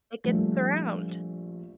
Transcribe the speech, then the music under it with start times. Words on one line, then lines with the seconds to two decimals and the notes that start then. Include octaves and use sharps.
It gets around.
0.24 A#1 G3 A3